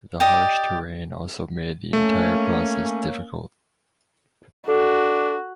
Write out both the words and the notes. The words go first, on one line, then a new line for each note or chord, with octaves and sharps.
The harsh terrain also made the entire process difficult.
G4 D5 D#5 D#6
A3 A#3 C#4
D4 F#4 A4